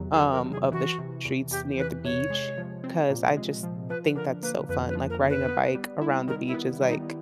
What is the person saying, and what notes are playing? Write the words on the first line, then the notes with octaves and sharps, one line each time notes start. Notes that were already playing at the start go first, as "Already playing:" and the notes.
um, of the s streets near the beach, 'cause I just think that's so fun, like, riding a bike around the beach is, like, th
Already playing: E2 C3 D#3 F#3
G#4
D#3
A#4
C3
G#4
E3 F#4
C3
E2
E2 G4
E3 B4
C3 C#5
G#3
F3
C4
A#2
G#3
F3
F3 B4
D3 A#4
A#3 B4
F2 B4
B4
F3
A#4
D3
B4
B3
G3
E4
D#3 A#4
E4
B3
G3
D#4